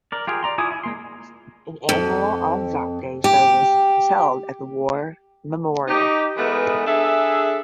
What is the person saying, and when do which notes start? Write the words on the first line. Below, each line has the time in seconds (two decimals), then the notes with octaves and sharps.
An annual Anzac Day service is held at the war memorial.
0.12 A#4 D5
0.27 F4 G4 G#4 A#4
0.43 D5 A#5 C6
0.58 E4 F4 G#5 D6 D#6
0.71 E4 G#5
0.83 G#3 A#3 C6
1.89 F2
3.24 G4
5.88 D#4 G4
6.37 E3 G#3 A3 B3 A#4 B4
6.87 D4 G#4 A4 E5